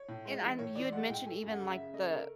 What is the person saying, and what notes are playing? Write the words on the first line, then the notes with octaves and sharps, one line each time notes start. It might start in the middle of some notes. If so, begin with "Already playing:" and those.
And I'm you had mentioned, even, like, the
Already playing: C#5
A2
G#3
E3
A2 C#5
E3 D5
G#3 F#5
A2 G5
A3 G#5
F#2
F#5
C#3
E5
C#3
A3 D#5
A3 A#4